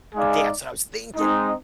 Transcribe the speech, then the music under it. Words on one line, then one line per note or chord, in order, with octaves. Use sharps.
That's what I was thinking.
G#3 D#4 G#4 D5 F5
G#3 C4 D#4